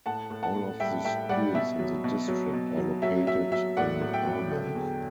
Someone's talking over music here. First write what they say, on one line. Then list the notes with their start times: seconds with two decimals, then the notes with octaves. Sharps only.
All of the schools in the district are located in Armonk.
0.06 A2 F#5 A5
0.30 A2
0.43 F#5 A5
0.56 A2
0.80 G3 E5 G5
1.05 A2 E5 G5
1.29 G3 D5 F#5
1.54 B2 E5
1.79 F#3
2.04 B2
2.28 F#3
2.53 B2
2.77 F#3
3.02 F#3 E5
3.27 F#3 E5
3.52 F#3 E5
3.77 A2 D5 F#5
4.01 A2
4.13 E5 G5
4.27 F#3
4.51 D3
4.75 E2